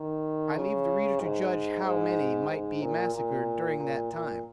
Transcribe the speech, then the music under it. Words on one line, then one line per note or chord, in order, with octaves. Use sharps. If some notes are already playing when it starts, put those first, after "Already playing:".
I leave the Reader to judge how many might be Massacred during that time.
Already playing: D#3
C#3
G#2
G#2
G#2
A#2
A#2
A#2
A#2